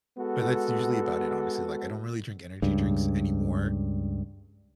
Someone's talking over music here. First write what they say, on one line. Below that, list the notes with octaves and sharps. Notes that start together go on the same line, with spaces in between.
but that's usually about it, honestly. Like, I don't really drink energy drinks anymore.
G#3 B3 F#4 A4
C#2 G2